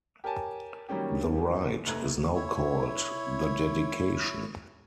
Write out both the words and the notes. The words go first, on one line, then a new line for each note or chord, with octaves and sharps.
The rite is now called the dedication.
G4 A#4 C#5 G#5 A5
D#3 F#3 G3 A#3 C#4 G4
F1 D#2 A3 B4 A#5 G#6
E4 C#5